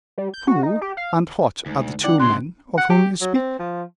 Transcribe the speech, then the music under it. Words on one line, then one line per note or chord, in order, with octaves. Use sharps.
"Who and what are the two men of whom you speak?"
G3
G6
F#4
D#4
G4
F5
D2 D3 G#3 D#4
C4 D4 E4 D5 F#5 G5 D6
C#2 C3 A#3 C4 C6 F#6 G#6
F#5
G4
F#3
C4
F3